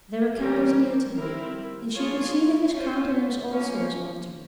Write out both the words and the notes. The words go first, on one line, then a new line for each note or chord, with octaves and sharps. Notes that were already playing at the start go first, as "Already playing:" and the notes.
There were candles near to him, and she could see that his countenance also was altered.
E3 G3 C#4 G4 A#4
G3 C4 E4 A#4
F3 A#3 F4 G#4 C#5
C#4 F4 C5
F3 A#3 C#4